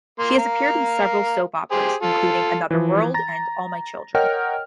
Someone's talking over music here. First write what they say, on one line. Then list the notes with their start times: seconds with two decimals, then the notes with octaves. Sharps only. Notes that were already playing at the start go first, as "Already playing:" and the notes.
She has appeared in several soap operas, including "Another World" and "All My Children".
0.19 A#3 C6
0.38 A#4 F5
1.71 G4 G#4 C5
2.03 F4 A4
2.71 E3 F3
3.14 A#5 A6 A#6
4.15 A#4 C#5 D#5 F#5 G5 F6